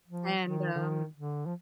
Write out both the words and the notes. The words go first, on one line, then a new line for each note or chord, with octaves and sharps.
And, um
F3
D#3
D3
D#3
D3
F3